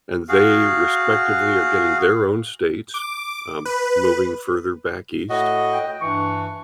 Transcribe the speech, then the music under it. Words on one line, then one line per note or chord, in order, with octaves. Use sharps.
and they respectively are getting their own states, um, moving further back East.
F#4 G#4 F5
D6
B4
A2 F#4 D#5
G5
G2 E3 D4 C#6